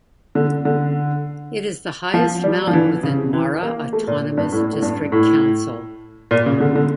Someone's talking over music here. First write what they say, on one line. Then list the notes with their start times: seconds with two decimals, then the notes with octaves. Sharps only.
It is the highest mountain within Mara Autonomous District Council.
0.35 D3
0.65 D3
2.14 F3
2.44 G3
2.67 F3
2.73 E3
3.03 C#3
3.33 E3
3.63 A#3
3.93 A3
4.07 A#2
4.37 G2
4.52 A2
4.73 A2
4.82 G2
5.12 A2
6.31 A#2
6.46 C#3
6.60 D3
6.76 D3